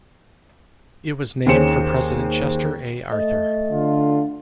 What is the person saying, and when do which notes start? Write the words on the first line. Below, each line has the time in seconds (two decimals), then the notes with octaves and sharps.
It was named for President Chester A. Arthur.
1.46 D#2 C#4 G#4 C5 C#7 E7
3.12 A3 D#5
3.71 D3 F4